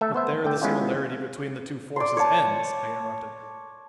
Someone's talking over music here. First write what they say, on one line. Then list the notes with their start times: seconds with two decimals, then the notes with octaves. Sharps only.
"But there the similarity between the two forces ends," I interrupted.
0.01 A3 A4 E5
0.14 B3 C5 E5
0.44 D3 A3 G5
0.62 G#3 B3 C#4 E4 F4
1.96 D5 C6
2.17 C#5 A5